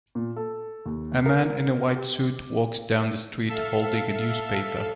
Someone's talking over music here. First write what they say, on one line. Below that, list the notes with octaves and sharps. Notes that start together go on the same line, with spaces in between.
A man in a white suit walks down the street holding a newspaper.
A#2
A4
D#2
A#4
G4
A4 E5 F5